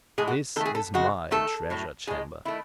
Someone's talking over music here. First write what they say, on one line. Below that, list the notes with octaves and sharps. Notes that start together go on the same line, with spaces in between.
This is MY treasure-chamber.
A2 E3 G#3 G#4
F#4
D#3 A3 A4
G#4
A4
C#3 G#3 F#4
D#3 A3 A4
A2 F#3 A3
A2 G#3 G#4
D#3 A3 E4